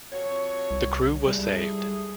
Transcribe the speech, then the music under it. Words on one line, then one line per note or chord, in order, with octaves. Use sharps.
The crew was saved.
F2 F#4 C#5
C2
G3 A3 E4 G#4